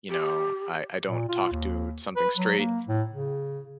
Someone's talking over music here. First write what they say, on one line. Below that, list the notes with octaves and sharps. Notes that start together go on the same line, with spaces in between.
you know, I I don't talk to something straight.
G4
A#2
F4
D#2
B4
F#3
A#3
A2
C#3